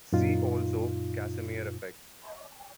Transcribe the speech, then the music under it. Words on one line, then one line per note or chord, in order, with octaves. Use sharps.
See also Casimir effect.
F#2 A#2 D#4 F4